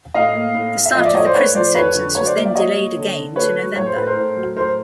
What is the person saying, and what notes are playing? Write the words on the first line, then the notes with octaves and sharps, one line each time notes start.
The start of the prison sentence was then delayed again, to November.
A2 D#5 F5
A#3
A2
A2
E5
F3 D#5 F5
D5 E5
A2 C#5 D#5
C5 D5
A2 B4 C#5
F3 C5 D5
F2 B4 C#5
D3
F#3 B4 C#5
C5 D5
A#3 A#4
D5 E5
F#3 C#5 D#5
A#3
D3
D3
A3 B4 C#5
F#3
A2 C#5
C5
A2 B4
A#4 C5
A2
F#3
A2 A#4 C5